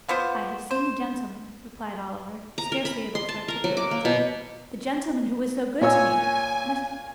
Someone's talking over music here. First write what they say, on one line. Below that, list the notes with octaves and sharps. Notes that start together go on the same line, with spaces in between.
'I have seen the gentleman,' replied Oliver, scarcely able to articulate, 'the gentleman who was so good to me--Mr.
A#3 B3 F4 C5
C5
A#5
A#4
B5
C6
A5
A#4
F#3
D6
A#3
B2
A#2 C#5 G#5 E6